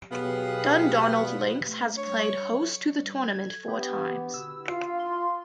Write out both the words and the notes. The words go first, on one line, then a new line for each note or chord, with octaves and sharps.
Dundonald Links has played host to the tournament four times.
D#2 B2 F#3 B3 G4 G#4 F5
C#5
G#6
B3 G4
E6
F4 F5
C6